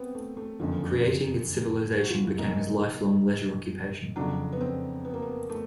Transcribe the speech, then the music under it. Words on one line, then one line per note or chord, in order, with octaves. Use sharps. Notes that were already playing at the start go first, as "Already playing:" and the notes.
Creating its civilization became his lifelong leisure occupation.
Already playing: B3 C4
A3
A3
F#1 F2 D3 F3 C#4
F#4
F4
E4
F#1 F#2 D#3 G#3 D#4
F2 C#3 F#3 D4
B3
C4
B3
A#3
B3
A3